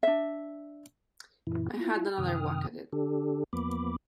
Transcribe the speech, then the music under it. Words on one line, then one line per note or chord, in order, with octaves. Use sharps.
I had another whack at it.
D4 E5
F#2 A#2 E3 E4
E4 F4
F#2 C3 D#3 G5 D#6 F6
D3 D4 G4 A4
E2 F3 A#3 B3 B5 D6